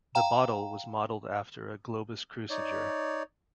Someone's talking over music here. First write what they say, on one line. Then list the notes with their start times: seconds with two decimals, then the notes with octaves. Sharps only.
The bottle was modeled after a Globus cruciger.
0.15 F5 G5 A#5 E7
2.50 D#4 C#5 D5